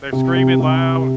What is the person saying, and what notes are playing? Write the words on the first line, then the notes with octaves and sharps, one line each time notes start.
They're screaming loud.
C3
C3
C3